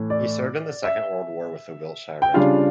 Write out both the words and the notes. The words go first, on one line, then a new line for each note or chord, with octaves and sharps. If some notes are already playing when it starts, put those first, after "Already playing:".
He served in the Second World War with the Wiltshire Regiment.
Already playing: A2 E3 A3
D5
E5
G5
C#3 G3 D4 F4 F5